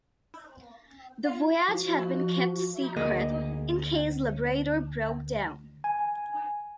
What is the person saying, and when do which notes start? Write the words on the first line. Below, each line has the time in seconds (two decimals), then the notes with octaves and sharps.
The voyage had been kept secret, in case "Labrador" broke down.
1.68 F3 F#4
2.96 D2 A#3 G#4 A#4 D#5 A#5
5.84 G#5